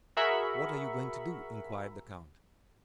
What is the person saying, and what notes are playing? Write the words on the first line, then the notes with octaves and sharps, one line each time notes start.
"What are you going to do?" inquired the count.
F#4 G#4 A#4 E5 B5 C#6